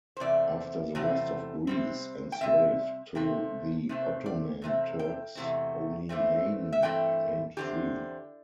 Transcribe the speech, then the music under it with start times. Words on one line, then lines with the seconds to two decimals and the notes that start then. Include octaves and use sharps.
After the rest of Greece enslaved to the Ottoman Turks only Mani remained free.
0.17 C5
0.20 E2 C3 A3 C4 D5
0.95 E2 C3 A3 C4
1.67 C3 G3 C4
2.32 G5
2.41 C3 G3 C4 E5
3.15 C3 A3 C4 G5
3.89 C3 A3 C4
4.26 D5
4.62 E2 C3 A3 C4
4.99 G5
5.35 E2 C3 E3 A3 C4
6.09 G2 E3 A3 C4
6.72 E5
6.82 G2 E3 A3 C4 G5
7.57 E2 D3 C4 G4